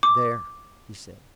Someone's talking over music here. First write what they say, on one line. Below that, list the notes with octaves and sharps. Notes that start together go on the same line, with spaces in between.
"There!" he said.
D6